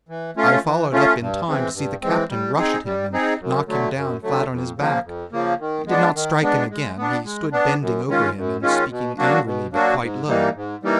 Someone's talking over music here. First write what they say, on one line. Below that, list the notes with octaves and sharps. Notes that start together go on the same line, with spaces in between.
I followed up in time to see the captain rush at him and knock him down flat on his back. He did not strike him again: he stood bending over him and speaking angrily but quite low.
E3
A3 C#4 F4
E3
A3 C#4 F4
G2
E3 G#3 C4
G2
E3 G#3 C4
G3
C4 D#4 G#4
G3
C4 D#4 G#4
F#2
D3 F#3 A3
F#2
D3 F#3 A3
F2
C#3 F3 A#3
F2
C#3 F3 A#3
D#3
G#3 B3 D4
D#3
G#3 B3 D4
G#3
B3 D4
G#3
B3 D4
F#2
D#3 G#3 C#4 F4
F#2
D#3 G#3 C#4 F4
B2
F#3 A#3 D4 F#4
B2
F#3 A#3 D4 F#4
G#2
E3 G3 A#3 D#4
G#2
E3 G3 A#3 D#4